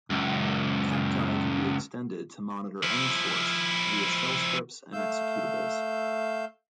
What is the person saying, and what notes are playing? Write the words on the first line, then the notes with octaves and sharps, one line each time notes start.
Cacti can be extended to monitor any source via shell scripts and executables.
C#2 F#2
F3 E4
A3 F5 E6 G6